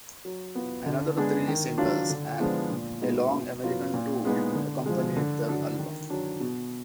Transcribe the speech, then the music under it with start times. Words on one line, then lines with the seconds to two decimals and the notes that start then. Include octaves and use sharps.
Another three singles and a long American tour accompanied the album.
0.25 F#3
0.55 B3 F4
0.86 D3
1.17 G#3 B3 D4 G#4
1.48 D#3
1.78 F#3 D4 F4
2.10 D3
2.40 F3 G#3 B3 D4
2.71 A#2
3.01 G#3 B3 D#4 F#4
3.33 B2
3.64 F#3 B3 F4
3.94 A#2
4.25 G#3 B3 D#4
4.55 D3
4.86 F3 G#3
5.17 D3
5.49 F#3 D4 F#4
5.79 D#3
6.10 F#3 D4
6.40 B2